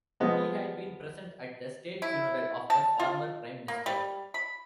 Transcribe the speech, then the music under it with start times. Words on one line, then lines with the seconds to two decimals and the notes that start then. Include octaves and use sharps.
He had been present at the state funeral of the former Prime Minister.
0.20 F3 G#3 B3 D#5
2.02 E4
2.70 A5
2.99 F4
3.68 A#3
3.86 G3
4.34 B5